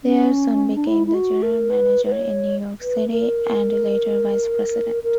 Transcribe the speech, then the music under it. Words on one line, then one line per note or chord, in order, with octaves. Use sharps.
Thayer soon became the general manager in New York City and later vice-president.
C#4
D4
E4
E4
F#4
A#4
B4
B4
C#5
B4
A#4
A#4